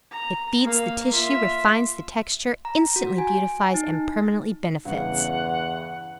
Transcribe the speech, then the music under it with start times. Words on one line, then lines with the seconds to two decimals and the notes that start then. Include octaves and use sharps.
It FEEDS the tissue, REFINES the texture, INSTANTLY beautifies, and PERMANENTLY benefits.
0.11 A#5
0.64 A#3 F5
1.12 F4 E5
2.65 A#5
2.96 F#4
3.18 G#5
3.74 D#4
4.85 E2 G2 C#3 F#5